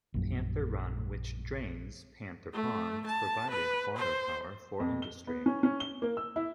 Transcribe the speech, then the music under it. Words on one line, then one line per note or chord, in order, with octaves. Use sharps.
Panther Run, which drains Panther Pond, provided water power for industry.
A#1 F#2
A3
A5
B4
C5
F2
G7
B3
C#4
C#4
G7
A#3
E6
E4